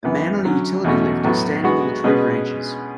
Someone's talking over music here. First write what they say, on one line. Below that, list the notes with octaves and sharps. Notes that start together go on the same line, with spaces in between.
A man on a utility lift is standing in the tree branches.
F#2 E3 B3
D3 F#3 C#4
E2 B2 A3 C#4 F#4
A2 F#3 B3 F#4
D3 G#3 B3 F#4
B2 G#3 C#4 G#4 B4